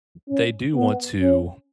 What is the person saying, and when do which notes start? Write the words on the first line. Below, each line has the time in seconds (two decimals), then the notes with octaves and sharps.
they do want to
0.28 C#4
0.75 B3
1.20 C#4